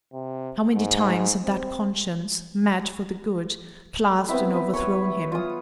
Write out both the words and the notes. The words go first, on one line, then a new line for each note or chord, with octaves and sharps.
How many times had that conscience, mad for the good, clasped and overthrown him!
C3
G#2
C4
B3 C4 E4
B4 C#5
F4 D#6